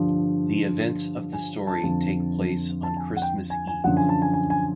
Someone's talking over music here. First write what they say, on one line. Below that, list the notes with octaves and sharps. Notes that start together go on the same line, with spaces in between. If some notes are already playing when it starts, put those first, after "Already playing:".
The events of the story take place on Christmas Eve.
Already playing: G2 D3 F3
G#5
A5
F2 D3 F3 A5
A5
G#5
F#5
G5
G#5
G#5
F#2 D3 F3 F#5
G#5
A5
G#5
G#5
G#5